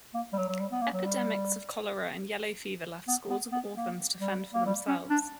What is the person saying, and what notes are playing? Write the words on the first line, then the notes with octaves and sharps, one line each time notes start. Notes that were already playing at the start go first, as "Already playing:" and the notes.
Epidemics of cholera, and yellow fever left scores of orphans to fend for themselves.
A#3
G3
F#3
F#3
G3
B3
A#3
F#3
G3
B3
B3
B3
A#3
G3
A#3
G3
C#4
D4